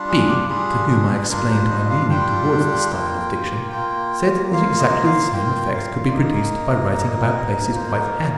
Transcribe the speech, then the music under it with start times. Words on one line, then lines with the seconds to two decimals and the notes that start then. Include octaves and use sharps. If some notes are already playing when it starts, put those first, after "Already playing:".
B., to whom I explained my leaning towards this style of diction, said that exactly the same effect could be produced by writing about places quite handy.
Already playing: G3 D4 F4
0.08 G#4
0.29 G4
0.49 G3 D4 F4 G#4
0.90 G#4
1.30 G3 D4 F4 A#4
1.50 C5
1.70 D#5
1.90 F5
2.10 G3 D4 F4 G5
2.91 A#3 F4
3.72 A#3 F4
4.52 A#3 F4 F5
4.79 D#5
5.06 F5
5.33 A#3 F4 G5
5.74 F5
6.07 D5
6.13 A#3 D#4 D#5
6.94 A#3 D#4
7.75 A#3 D#4 C5
8.02 A#4